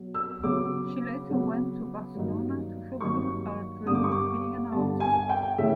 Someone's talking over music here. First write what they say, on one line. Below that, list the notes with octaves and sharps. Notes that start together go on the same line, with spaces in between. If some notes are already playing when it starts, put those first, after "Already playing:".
She later went to Barcelona to fulfill her dream of being an artist.
Already playing: B2 F#3
E6
C#3 F#3 B3 D6
C#3 F#3 B3
G2 D#3 F#3 A#3 D#4
G2 D#3 F#3 A#3 D#4 C#6
G2 D3 G3 B3 D#6
D6
C#6
D6
G2 D3 G3 B3 A5
G#5
G5
C#3 E3 A3 E5